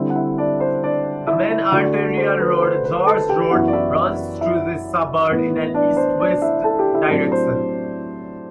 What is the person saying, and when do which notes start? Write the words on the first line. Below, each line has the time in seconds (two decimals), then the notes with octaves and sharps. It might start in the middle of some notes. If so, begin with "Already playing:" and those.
The main arterial road, Gorge Road, runs through this suburb in an east-west direction.
Already playing: D3 G3 C4 E4 E5
0.10 F#5
0.16 E4 E5
0.38 D4 D5
0.60 C5
0.83 D4 D5
1.27 E4 E5
1.51 E4 E5
1.72 D3 A3 D4 F#4 F#5
2.17 C5
2.40 B4
2.62 C5
2.85 B4
3.06 A4 A5
3.29 G4 G5
3.51 F#2 E3 B3 E4 F#4 F#5
3.68 D5
3.73 E4 E5
4.41 E4 E5
5.30 A2 E3 B3
5.74 D4 D5
5.97 C5
6.20 D4 D5
6.42 E4 E5
6.64 A4 A5
6.79 G4 G5
6.94 E4 E5
7.09 A2 F#3 C4 D4 D5
7.32 C5